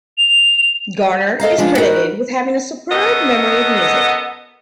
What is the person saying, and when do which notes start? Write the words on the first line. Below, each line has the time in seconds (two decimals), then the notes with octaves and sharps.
Garner is credited with having a superb memory of music.
0.18 F7
1.40 A4 D#5 F5 A#5
1.58 C#3 F3 G#3 D4 F4
1.78 D#4 F#4 A#4 B4
2.91 F#2 B3 A4 D#5